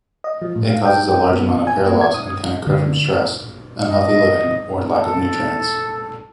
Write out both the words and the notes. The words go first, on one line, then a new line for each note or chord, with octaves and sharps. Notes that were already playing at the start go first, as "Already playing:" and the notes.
It causes a large amount of hair loss and can occur from stress, unhealthy living or lack of nutrients.
D#5
F3
A2
F5
G5
G5
B3
G#5
A#3
G#6
D#6
D3
D#5
A4